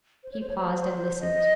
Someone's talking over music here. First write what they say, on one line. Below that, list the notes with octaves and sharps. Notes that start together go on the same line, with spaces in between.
He paused and listened.
C5
C#5
C5
C#5
C5
C5
D#5